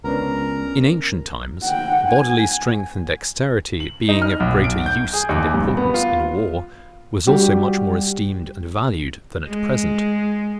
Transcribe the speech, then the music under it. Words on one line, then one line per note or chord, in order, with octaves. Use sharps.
In ancient times, bodily strength and dexterity, being of greater USE and importance in war, was also much more esteemed and valued, than at present.
C#2 B3 C#4 D4 A#4 A#5
F#5 G5
G#5
F#7
D#4
F6
B1
D7
G6
G#4
D#2
G2
B3
F4
G3 F#4 G4
G#3